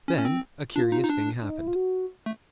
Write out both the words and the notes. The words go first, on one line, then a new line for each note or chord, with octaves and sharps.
Then a curious thing happened.
C#4
C#4
C4
D4 F4
D#4
D#4
D4
D4
D#4
E4
F4
F#4
A3